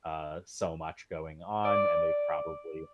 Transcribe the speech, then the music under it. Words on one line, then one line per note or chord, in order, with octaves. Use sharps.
uh, so much going on, and they've probably
D5